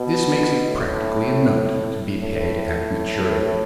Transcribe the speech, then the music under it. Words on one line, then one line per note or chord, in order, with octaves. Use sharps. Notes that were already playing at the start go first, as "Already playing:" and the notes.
This makes it practically a note, to be paid at maturity.
Already playing: B2
A2
A2